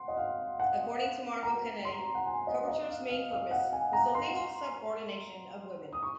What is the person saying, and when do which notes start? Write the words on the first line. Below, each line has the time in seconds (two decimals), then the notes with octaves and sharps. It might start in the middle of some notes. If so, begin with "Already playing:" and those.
According to Margot Canaday, coverture's main purpose ... was the legal subordination of women.
Already playing: F#5 C6
0.08 D#5
0.17 F5
0.60 F#5
1.43 A#5
1.85 C6
2.15 F#5
2.26 G#5
2.47 D#5
2.68 D#5
2.89 F5
3.09 F5
3.31 F5
3.51 F#5
3.73 G#5
3.93 A#5
4.15 C6
5.93 D#6
6.03 C#6